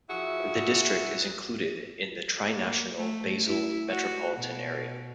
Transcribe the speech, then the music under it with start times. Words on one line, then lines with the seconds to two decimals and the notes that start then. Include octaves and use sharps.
The district is included in the trinational Basel metropolitan area.
0.09 F3 E4 F#4 G#4 E5
2.49 A#3
2.96 A3
3.46 E4
3.89 F#4
4.37 B2